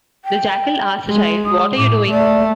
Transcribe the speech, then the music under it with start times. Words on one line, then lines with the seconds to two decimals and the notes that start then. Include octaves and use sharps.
The jackal asked the child: What are you doing?
0.25 G5
1.09 G#3
1.45 D#6
1.77 A2 D6
2.10 A3 D5